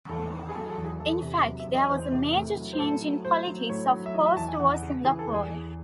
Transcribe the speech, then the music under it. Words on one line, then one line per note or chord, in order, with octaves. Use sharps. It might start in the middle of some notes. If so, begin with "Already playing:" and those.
In fact, there was a major change in politics of post-war Singapore.
E2 A4
D#3
G#4
F#3 A4
A4
E2
G#4
E2 A4
C3
F#3
E5
E2
D#5
E2 C5
C3
A2
F#3
C5
A2 A4
F#3
A2 C5
F#3
A2 C#5
F#3
E5
E3 D#5
E5
E2 A5
G#5
E2 F#5
C#3
E3 G#4
A4
E2
G#4
E2